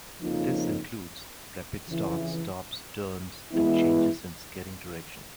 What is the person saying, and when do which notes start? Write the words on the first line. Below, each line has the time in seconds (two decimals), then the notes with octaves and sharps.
This includes rapid starts, stops, turns, and changes in skating direction.
0.22 F2 C#3 F3 A#3 D#4
1.87 F2 C#3 E3
3.52 E3 G#3 B3 E4